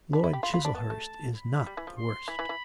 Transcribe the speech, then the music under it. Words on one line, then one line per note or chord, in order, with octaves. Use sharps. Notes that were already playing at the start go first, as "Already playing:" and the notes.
Lord Chiselhurst is not the worst.'
D4 B5
E4
G4
F4 B5
F4
D4
B3 A5
A3
B5
G3
E3
F3
C6
E3 B5
E3
E3